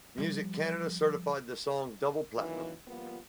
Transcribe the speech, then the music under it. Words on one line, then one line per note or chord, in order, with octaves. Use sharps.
Music Canada certified the song Double Platinum.
F3 G3
F#2 A#2 D#3 E3
F3 G3 A#3 B3 F4